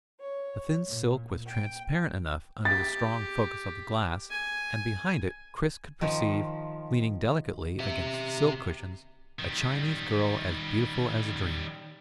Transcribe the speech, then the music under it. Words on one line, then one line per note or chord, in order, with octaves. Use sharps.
The thin silk was transparent enough under the strong focus of the glass, and behind it Chris could perceive, leaning delicately against silk cushions, a Chinese girl as beautiful as a dream.
C#5
A#2
G5
G4 A6
G#5
D#3 F3
G4 E5
D#3 G3